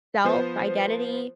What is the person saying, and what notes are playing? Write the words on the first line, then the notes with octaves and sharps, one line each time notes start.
self, identity,
F3 B3 C5